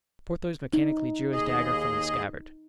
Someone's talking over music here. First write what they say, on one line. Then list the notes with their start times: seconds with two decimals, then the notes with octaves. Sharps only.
Porthos mechanically drew his dagger from the scabbard.
0.73 D#4
1.32 D#2 G#4 D#5